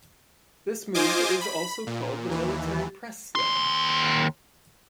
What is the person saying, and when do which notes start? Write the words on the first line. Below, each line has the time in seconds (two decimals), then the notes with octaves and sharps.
This move is also called the military press slam.
0.94 F4 C5 D#5 G#5 D6
1.41 B5
1.87 A#2
2.29 D#2 E3
3.35 D#2 C6